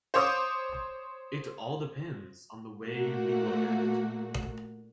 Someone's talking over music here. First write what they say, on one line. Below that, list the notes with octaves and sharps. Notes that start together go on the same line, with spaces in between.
It all depends on the way we look at it.
C5 C#5 D6 D#6
A#2 A3 A#3 F#4